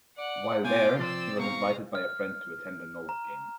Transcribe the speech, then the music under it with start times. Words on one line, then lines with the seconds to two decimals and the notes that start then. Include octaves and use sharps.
While there he was invited by a friend to attend a Norwood game.
0.18 D5 F#5
0.64 B2 F4 G5 G#5 D6
0.99 F3 C4 D5 C6 E6
1.40 G#2 B2 F5 A#5 C#6
1.95 F6
3.09 A#5